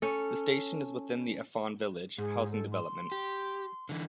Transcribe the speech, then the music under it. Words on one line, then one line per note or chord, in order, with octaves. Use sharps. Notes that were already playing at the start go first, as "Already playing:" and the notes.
The station is within the "Afon Village" housing development.
C#4 A4
G#2 G#4
A4
C6
G4
D3 E3